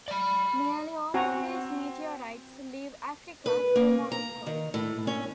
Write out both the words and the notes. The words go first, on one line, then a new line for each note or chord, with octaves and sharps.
Nearly all of these meteorites leave Africa through Morocco.
D5 B5
C4 F#4 G#5 A#5
B4
A#3
A#5
D#3
A2
C#4